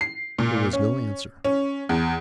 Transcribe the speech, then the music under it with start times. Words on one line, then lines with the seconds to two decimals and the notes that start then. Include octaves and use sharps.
There was no answer.
0.01 C7
0.39 A#2
0.73 C#4
1.44 C#4
1.89 E2